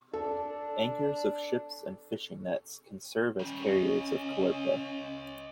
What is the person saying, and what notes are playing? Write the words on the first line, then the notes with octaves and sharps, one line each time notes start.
Anchors of ships and fishing nets can serve as carriers of Caulerpa.
D4 A4
D#3 G3 C#4
C#5 D#5